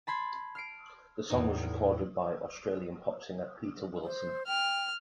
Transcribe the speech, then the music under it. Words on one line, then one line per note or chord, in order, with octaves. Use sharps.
The song was recorded by Australian pop singer, Peter Wilson.
A5 B5 C6 G#6
F6 C7 D7
E2 A2 D#4
C5
G5 F6